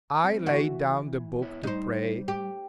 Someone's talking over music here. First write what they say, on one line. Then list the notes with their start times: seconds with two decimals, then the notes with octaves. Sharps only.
I laid down the book, to pray.
0.24 G3 C4
0.46 E3 E4 F#4
1.42 B3 E4 C#5
1.63 G3 D#4 C5
2.28 G4